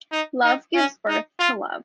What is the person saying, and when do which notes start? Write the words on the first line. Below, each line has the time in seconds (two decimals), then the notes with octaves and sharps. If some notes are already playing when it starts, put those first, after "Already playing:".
Love gives birth to love.
0.12 D#4
0.44 D#4
0.75 C#4
1.08 D#4
1.40 F4